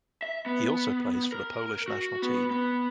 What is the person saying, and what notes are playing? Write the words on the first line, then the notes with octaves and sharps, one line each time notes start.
He also plays for the Polish national team.
E5
B3
A#4
F#4
B3
B3